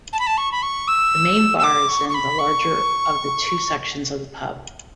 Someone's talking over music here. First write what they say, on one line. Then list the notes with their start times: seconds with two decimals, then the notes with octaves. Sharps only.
The main bar is in the larger of the two sections of the pub.
0.13 A5
0.19 B5
0.27 A5
0.37 C#6
0.52 B5
0.62 C#6
0.88 E6
1.58 E6
1.63 D6
1.89 C#6
2.09 C#6
2.14 B5
2.39 C#6